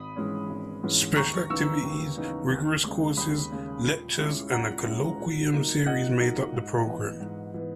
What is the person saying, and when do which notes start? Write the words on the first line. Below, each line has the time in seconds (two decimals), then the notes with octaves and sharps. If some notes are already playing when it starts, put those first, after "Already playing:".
Special activities, rigorous courses, lectures and a colloquium series made up the program.
Already playing: G#1 B5 D#6
0.16 G#2 E3 G#3 C#4
0.49 G#1
0.83 G#2 E3 G#3 C#4
1.16 D#2 A#5 C#6
1.50 C#3 E3 B3 D#4 C#6 E6
1.83 D#2
2.17 C#3 E3 B3 D#4
2.50 D#2
2.84 C#3 G#3
3.17 D#2 B5 D#6
3.52 C#3 G#3
3.85 A#2
4.19 G#3 C#4 E4
4.51 A#2 F#5 A#5
4.85 G#3 C#4 E4
5.19 A#2
5.53 F#3 A#3 D#4
5.86 A#2 D#5 F#5
6.19 F#3 A#3 D#4
6.53 G#2
6.87 E3 B3
7.20 G#2
7.54 E3 B3